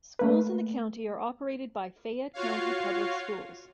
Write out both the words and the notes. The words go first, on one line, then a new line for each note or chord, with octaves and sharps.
Schools in the county are operated by Fayette County Public Schools.
A3 A#3 B4
F4 F#4 C#5 F5